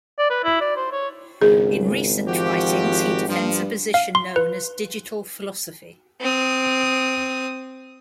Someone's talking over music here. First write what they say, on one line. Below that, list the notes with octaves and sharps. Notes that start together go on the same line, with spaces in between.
In recent writings, he defends a position known as digital philosophy.
D5
B4
E4
D5
C5
C#5
G#1 C#2 G#4
F3 F#4 G4
G2 F3
F5
C6
B4
C4 D#6